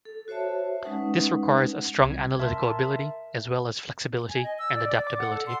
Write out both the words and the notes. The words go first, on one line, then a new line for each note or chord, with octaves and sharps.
This requires a strong analytical ability, as well as flexibility and adaptability.
A4
F#4 C5 C#5 E5 A5
G#3 C#4 D#4 B4 F#5
C2 G#6
A#4 E5 A5 C6
G#5
D#5
E6
D5
D5
D6
F#5
A4
C6